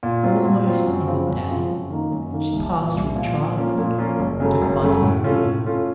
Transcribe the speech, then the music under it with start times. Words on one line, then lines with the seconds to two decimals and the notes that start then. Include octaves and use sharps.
Almost in a day she passed from childhood to budding womanhood.
0.03 A#2
0.23 F#3 C4 F4
0.45 A#2
0.65 F#3 C4 F4
0.86 F#2
1.07 C#3 F3 C4
1.27 F#2
1.49 C#3 F3 C4
1.69 F#2
1.90 D#3 A#3 D#4
2.12 F#2
2.32 D#3 A#3 D#4
2.53 C2
2.74 A#2 F3
2.94 C2
3.16 A#2 F3
3.37 A#2
3.57 F3 A#3 C#4 F4
3.78 A#2
3.98 F3 A#3 C#4 F4
4.19 F#1
4.40 F#2 C#3 F#3 A3
4.61 F#1
4.82 F#2 C#3 F#3 A3
5.02 A2
5.24 A3 C#4 F4
5.44 A2
5.66 A3 C#4 F4